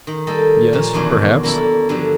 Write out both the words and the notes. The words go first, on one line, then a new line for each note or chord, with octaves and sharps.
"Yes, perhaps."
D#3
G3 A#3 A4 D#5
A#2 F3 C#4
E2 B2 D#3 F#3 D4
A#3 C#4 E4 A4
G2 D3 F3 F#3